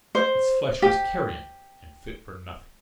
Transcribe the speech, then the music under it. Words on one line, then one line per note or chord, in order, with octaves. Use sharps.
Its flesh was carrion, and fit for nothing.
C5
G4